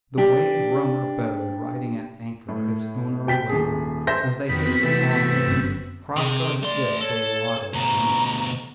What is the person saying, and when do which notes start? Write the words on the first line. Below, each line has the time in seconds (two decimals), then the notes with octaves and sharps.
The wave-roamer bode riding at anchor, its owner awaiting. As they hastened onward, Hrothgar's gift they lauded at length.
0.17 D4 G4
2.49 A2
3.27 B2 G5 B6
3.49 D#1 G#4
4.07 C5 E5 G6 A#6
4.49 F2 D#3 B3 C4 F#4 B5 B6
4.83 C3 E3 A3 E5
5.47 G1 F#2
6.17 C3 G#4
6.63 A3 D5 C6
7.01 A4 C#5
7.74 D2 B2 A#5